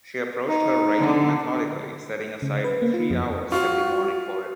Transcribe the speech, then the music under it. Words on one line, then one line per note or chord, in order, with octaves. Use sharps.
She approached her writing methodically, setting aside three hours every morning for it.
D#4
D3
C#3
B4
A#3
F4
F2
F4 F#4 C#6